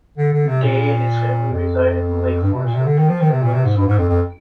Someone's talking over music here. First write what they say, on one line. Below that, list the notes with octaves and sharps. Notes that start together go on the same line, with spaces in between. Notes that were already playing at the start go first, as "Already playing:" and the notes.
Day and his family reside in the Lake Forest subdivision in Louisville, Kentucky.
D3
D3
C3
A#2
F2
G2
C3
A#2
C3
D3
D#3
F3
D#3
C3
A#2
C3
G#2
G2
G#2
F2
F2